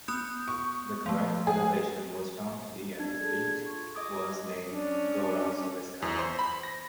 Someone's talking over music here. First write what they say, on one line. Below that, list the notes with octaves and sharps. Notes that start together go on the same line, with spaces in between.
The correct elevation was found to be and the peak was named "Gora Sovetskaya".
B3 D#6 G6
C#6
F3 A3
G#4
D4 G#6
G#4 A4
F4 B5 C#6
D#5 D6 D#6 G#6
C#4 D4
E2
C5
B5
A#6